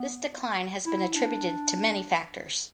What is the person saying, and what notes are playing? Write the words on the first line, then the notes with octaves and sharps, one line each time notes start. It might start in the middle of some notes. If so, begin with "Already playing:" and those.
This decline has been attributed to many factors.
Already playing: B3
E4
D4